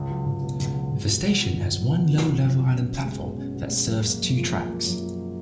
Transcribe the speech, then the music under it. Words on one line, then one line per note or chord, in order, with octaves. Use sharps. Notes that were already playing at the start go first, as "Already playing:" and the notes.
The station has one low-level island platform that serves two tracks.
Already playing: C#2
F#3
C#2
B2
C#2
F#3
C#2
B2
B3
F3
G#1
F#2
B3
F3
G#1
F#2
B2
C#4
B2
G#3
B2
C#4
B2
G#3
F#2
A#3
F#2
F3
F#2
A#3
F#2
F3